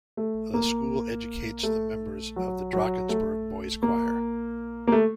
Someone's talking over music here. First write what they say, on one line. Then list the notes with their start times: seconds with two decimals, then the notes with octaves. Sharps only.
The school educates the members of the Drakensberg Boys Choir.
0.17 A3
0.54 A#3
1.63 A3
2.36 F#3
2.73 F#3
3.09 A3
3.83 A#3
4.87 A#3
4.92 A3